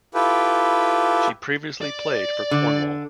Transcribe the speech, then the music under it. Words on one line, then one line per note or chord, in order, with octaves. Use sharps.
She previously played for Cornwall.
E4 F4 G4 A4 B4 G5
D5
D3